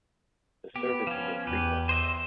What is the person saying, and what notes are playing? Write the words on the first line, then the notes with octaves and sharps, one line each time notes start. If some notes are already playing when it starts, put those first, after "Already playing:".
The service is infrequent.
B3 G4
F3 C#4
E2 G4 B4
C5 D#5 E5